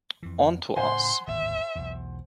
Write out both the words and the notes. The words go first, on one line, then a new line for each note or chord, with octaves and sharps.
On to us.
F2 E3
A2 C#3 C5 F#5 G#5 C6
D1 G#1 D#2 E5
B1 E2